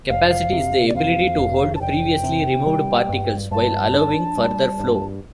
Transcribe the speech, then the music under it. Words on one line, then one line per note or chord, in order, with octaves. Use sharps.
"Capacity" is the ability to "hold" previously removed particles, while allowing further flow.
F1 F5
C3
D5
F2 F5
F1
A5
F1 G5
C3
G3
G2
G2 A5
D4
G3
G2